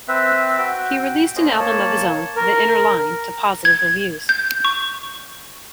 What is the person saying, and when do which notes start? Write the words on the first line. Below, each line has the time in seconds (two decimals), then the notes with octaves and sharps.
He released an album of his own, "The Inner Line", to positive reviews.
0.08 C4 B4 E5
0.58 F#4 G5
1.36 A#3 C#4 C5 D#5
1.59 A#3 C#5 A5
2.36 A#4
3.65 G#6
4.29 G6
4.65 C#6